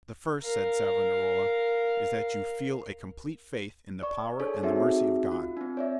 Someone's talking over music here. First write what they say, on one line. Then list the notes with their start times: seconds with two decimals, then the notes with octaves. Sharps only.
"The first," said Savonarola, "is that you feel a complete faith in the power and the mercy of God."
0.43 A#4 F5
4.03 D5 C#6
4.40 D4 G#4 A4 C5 C#5
4.63 C4 D#4 F#4 G#4 E5
5.32 F4
5.57 C4 D4
5.77 C#5 D5 E5